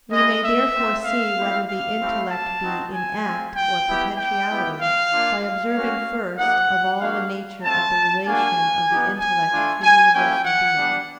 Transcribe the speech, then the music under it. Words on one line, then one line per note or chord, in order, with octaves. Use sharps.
We may therefore see whether the intellect be in act or potentiality by observing first of all the nature of the relation of the intellect to universal being.
G#3 C4 E4 D#5
E5
C4 F4
F5
C4 E4 G4
F5
A3 C4 E4 G4
A5
C4 D#4 F#4
G#5
C4 F4
G5
B3 E4 G4
G5
B3 E4 G4
F5
A#3 D4 F4
F5
A#3 C#4 F#4
A#3 D#4 G4 F#5
A#3 D4 F#4 F5
A3 C4 F4 A5
A#3 D4 F#4 G#5
B3 D#4 G4
G#5
A3 D4 F4
G#5
A#3 C#4 E4 G4 G5
F#5
G3 B3 D4